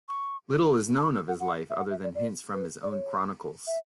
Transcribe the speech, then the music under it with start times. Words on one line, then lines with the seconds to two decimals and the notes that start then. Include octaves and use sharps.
Little is known of his life other than hints from his own chronicles.
0.08 C#6
0.98 A5
1.02 B5
1.15 E6
1.28 F#5
1.40 F#5
1.70 E5
1.78 F#5
1.90 E5
2.03 D5
2.15 D5
2.53 B4
2.83 D5
2.91 C#5
3.67 E5